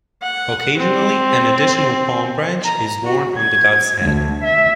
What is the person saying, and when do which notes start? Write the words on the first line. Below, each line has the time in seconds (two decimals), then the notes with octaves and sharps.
Occasionally, an additional palm branch is worn on the god's head.
0.22 F#5
0.76 C4
2.64 A#5
3.04 F#4
3.36 G#6
4.02 D2
4.43 E5